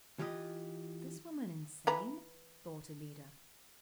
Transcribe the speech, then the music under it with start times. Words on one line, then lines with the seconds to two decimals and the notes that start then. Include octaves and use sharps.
"Is this woman insane?" thought Alida.
0.19 E3 F4 G4 D#5
1.87 E3 B4 A#5